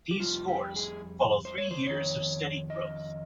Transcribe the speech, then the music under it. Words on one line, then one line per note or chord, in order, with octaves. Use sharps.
These scores follow three years of steady growth.
G4
F2 D#3 G3 F4
G4
G#4
C5
C#5
C5
F2 D#3 C#5
D#5